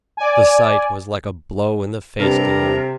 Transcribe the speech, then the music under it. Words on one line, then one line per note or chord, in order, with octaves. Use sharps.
The sight was like a blow in the face to him.
D5 G#5
G2 C3 A4 A#4 A#5